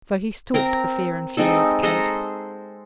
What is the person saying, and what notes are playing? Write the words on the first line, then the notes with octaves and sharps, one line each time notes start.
So he stalked the fair and furious Kate.'
C4 A#4 A#5
G#3 C4 D#4 A4
G#3 A4 C5 A#5